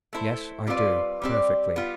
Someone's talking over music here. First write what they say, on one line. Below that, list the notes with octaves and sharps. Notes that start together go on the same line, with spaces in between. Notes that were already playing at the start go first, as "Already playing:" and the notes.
Yes; I do, perfectly.
A3 E4 A4 C5
G3 C4 F4 B4 D5
G3 C4 G4 D5
G3 B3 F4